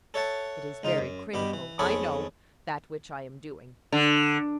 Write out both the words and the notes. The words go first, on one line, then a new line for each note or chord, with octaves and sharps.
It is very critical--I know--that which I am doing.
A4 C#5 E5 F#5 A5
C#2 D#4 F4
F#2
G2 B2 G4 B5
E3
B1 F2 G#4 A4 C#5 B5
D3